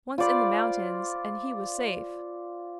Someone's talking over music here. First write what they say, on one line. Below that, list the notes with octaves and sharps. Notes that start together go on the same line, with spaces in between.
Once in the mountains and he was safe!
F4 C5 D5 B5